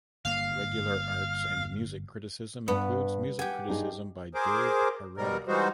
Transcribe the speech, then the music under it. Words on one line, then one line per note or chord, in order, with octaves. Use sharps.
Regular arts and music criticism includes music criticism by Dave Herrera.
G1 A#3 F5
G2 B3
G4 F#5 G#5
G2 D#4 G#4
G#4 A#4 C5 D6
B2 G3 A#4
E3 G3 G#3 D#4 F#4 C5